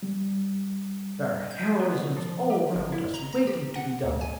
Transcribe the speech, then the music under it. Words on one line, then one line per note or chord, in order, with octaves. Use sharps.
There are heroisms all round us waiting to be done.
G3
G6
B3
F3
G4
G1
E4
A#5
A#5
G4
F#5
D2
G#5